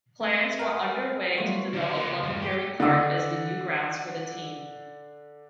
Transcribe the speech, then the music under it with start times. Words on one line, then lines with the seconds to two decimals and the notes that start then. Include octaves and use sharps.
Plans were under-way to develop Londonderry Park as the new grounds for the team.
0.21 A3
0.59 A#4 B4 G5 G#5
1.38 F#3 G3 A3 B3 F4 F#4
1.73 D3 F3
1.94 A#3 B3
2.08 C#2
2.23 E2 G2
2.42 G4
2.80 D3 E6